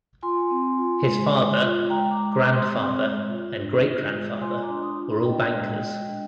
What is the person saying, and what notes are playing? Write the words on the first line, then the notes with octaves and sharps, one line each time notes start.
His father, grandfather and great-grandfather were all bankers.
F4 G#5 C6
C4
F4
G#3
G#3
F4
G#3 G5 A#5
A#5 D6
G#3
A#5 D6
G#3
C6 D#6
C4
G#3
F4
D4
F4
G#3
F4 G#5 C6
A#5 D6
D4
C6 D#6
F4
D4 D#5 G5
G#3
G#3
D4